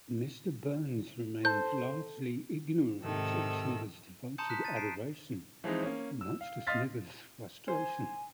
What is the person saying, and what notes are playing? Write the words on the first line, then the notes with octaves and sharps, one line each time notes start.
Mr. Burns remained largely ignorant of Smithers' devoted adoration, much to Smithers' frustration.
A4 C5 G6
G#2 C3 D#3 A4 E6
A5 A#5 C6 D#6 G6 C#7
F#6 B6 E7
A6 D#7
C7 D7 E7
E3 F3 G#3 C4 D#4
A#3 C#4
E6
F5
D#5 F5 C6 F6 A6 B6
C5 G#5